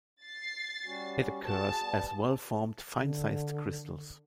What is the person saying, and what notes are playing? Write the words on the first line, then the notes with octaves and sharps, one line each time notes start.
It occurs as well-formed fine-sized crystals.
A6 C7
G3 C#4 F#4
F#4 G#4 A5
G3 B3
D3